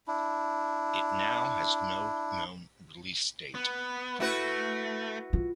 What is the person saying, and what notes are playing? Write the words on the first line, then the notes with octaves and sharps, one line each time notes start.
It now has no known release date.
D4 E4
B3
A3 E4 F#4 B4
F4